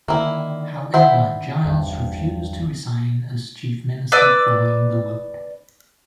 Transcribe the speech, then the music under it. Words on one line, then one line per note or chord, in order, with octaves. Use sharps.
However, Giles refused to resign as Chief Minister following the vote.
D3 D#3 A#3 E4
E4 C5 E5 F#5
G#1 E2 G2
B4 D5 D6 E6